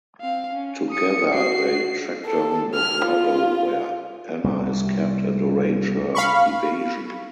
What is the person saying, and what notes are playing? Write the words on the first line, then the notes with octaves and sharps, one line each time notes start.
Together they track down the brothel where Anna is kept and arrange her evasion.
C4 F5
C#4
D#6 C#7
F#4 C7
A4
F6
F4
C2
F5 B5 C#6